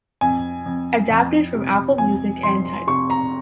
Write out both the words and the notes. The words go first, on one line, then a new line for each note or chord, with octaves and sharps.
Adapted from Apple Music and Tidal.
F2 G#5
F2
F2
C3
F2 G#5
F2 C6
C3 C#6
A#5